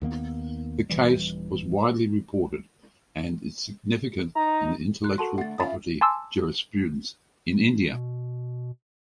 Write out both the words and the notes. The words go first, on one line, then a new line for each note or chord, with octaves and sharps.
The case was widely reported and is significant in intellectual property jurisprudence in India.
D#2 D#3 A#3 B3
D#1 E3 G3
D#4 A#5
F#6
F#4 A4 A#4 A5 C6
D3 A3 F#5 A6
C#4 E4 F4 F5 D#6 A6
G#5 A5 C6 D6 E6
B2